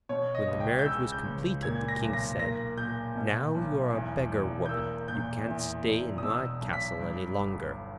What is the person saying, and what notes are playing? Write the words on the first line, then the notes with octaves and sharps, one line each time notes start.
When the marriage was completed, the King said: 'Now you are a beggar-woman, you can't stay in my castle any longer.
B2 C#5
D#5
C#2
G5
G6
C#3 E6
G6
C#2
A#2 G#6
A#6
B1
A#6
A#3 A#6
A#2 G6
B2
B1
E2
E1
G6
A#3 E6
A#2 G6
E2
E1
D#6
B2 E6
B1
B6
G2
G1